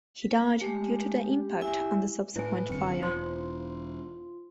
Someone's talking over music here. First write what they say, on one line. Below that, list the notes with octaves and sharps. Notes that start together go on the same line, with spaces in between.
He died due to the impact and the subsequent fire.
B6
G#3 A3 G4
G4
E4 E5 G#5
A2 E4 B4 G#5
F1 F#2 D3 C4 C#7
E1 D#4 F4 C5 C6